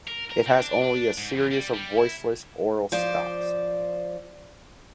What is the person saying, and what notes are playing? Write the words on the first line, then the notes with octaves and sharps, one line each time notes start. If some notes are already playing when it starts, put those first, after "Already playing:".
It has only a series of voiceless oral stops.
A#4
A#4
C4
D4
D4
G#2
E2
G3
G3
E4
F3 C5 D5